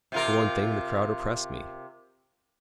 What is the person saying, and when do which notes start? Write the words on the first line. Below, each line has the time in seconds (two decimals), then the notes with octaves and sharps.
For one thing, the crowd oppressed me.
0.12 C3 F4 A#4